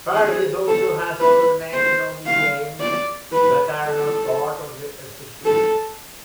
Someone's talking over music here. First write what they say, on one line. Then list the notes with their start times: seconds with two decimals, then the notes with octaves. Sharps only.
Paris also has other national museums that are not part of the association.
0.15 G#4
0.67 A4
1.20 B4
1.74 C5
2.26 F5
2.80 D5
3.32 B4
3.86 A4
5.45 A4